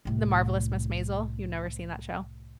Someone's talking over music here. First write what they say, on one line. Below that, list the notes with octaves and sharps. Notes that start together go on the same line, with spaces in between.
"The Marvelous Mrs. Maisel"? You've never seen that show?
C2 A2